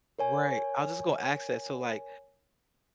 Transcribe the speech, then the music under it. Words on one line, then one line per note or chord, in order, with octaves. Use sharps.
Right, I was just gonna axe that, so, like,
A#4 C#5 G#5